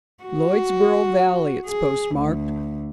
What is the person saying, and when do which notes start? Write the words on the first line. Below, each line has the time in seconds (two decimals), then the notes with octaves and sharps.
Lloydsboro Valley it's postmarked.
0.24 F#4
1.66 G#4
2.16 D2